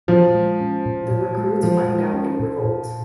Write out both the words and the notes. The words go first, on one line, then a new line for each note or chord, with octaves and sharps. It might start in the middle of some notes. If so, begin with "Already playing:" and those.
The recruits find out and revolt.
A#2 F3
G#3
C#4
A#2
A#2
G#3
A#2 F3
G#3
C#4
A#2
A#2